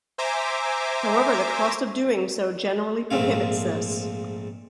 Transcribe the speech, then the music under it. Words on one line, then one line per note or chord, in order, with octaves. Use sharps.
However, the cost of doing so generally prohibits this.
C5 E5 G#5 A#5 D6
A#1 G#2 A3 C4 F5